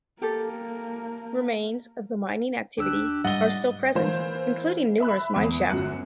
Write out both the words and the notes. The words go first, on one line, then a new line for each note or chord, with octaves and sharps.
Remains of the mining activity are still present including numerous mineshafts.
A#3 G4 A4
D2 D4 G4 E6 F#6
G#2 G3 D#5 F#5 A6 G7
E3 A#3 C5
E5 B5 F#6
E2
G1 F#2 F#3 F#6 C#7